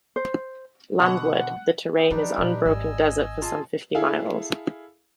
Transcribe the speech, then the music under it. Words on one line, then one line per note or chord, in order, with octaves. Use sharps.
Landward, the terrain is unbroken desert for some fifty miles.
C5
B2 D3 F#5
B3 E5 G5
E3 F3 G3 D4 D#4 G4 B4
A#2 F#3
G#1 D#5 G#5 E6
F4 G#4 A5
E4 G#4 A4 F5